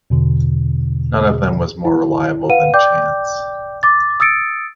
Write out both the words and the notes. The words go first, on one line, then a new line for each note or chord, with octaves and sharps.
None of them was more reliable than chance.
E2 B2 D3
E4
B4 F5 F#5 D#7
D5 G5 D6 G6
D6 A6
D#6 E6 A6 C#7 D7